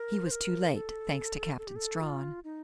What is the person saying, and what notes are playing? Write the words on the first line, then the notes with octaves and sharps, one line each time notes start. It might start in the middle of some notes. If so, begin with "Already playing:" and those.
He was too late--thanks to Captain Strawn.
Already playing: A#4
C5
A#4
A4
A4
G4
A4
F4
D#4